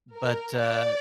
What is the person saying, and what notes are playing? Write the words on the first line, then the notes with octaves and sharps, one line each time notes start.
but, uh
A#4
D5